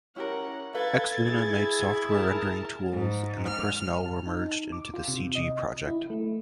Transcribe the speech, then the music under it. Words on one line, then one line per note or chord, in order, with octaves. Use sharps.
Exluna made software rendering tools and the personnel were merged into the Cg project.
C#4 E4 G4 A#4 F#5
A4 B4 F5 G#6 A6
E4 G#4
A#4 A5
G#2
F6
A5
D#4
D6
F4
C3
D#5
E4
A3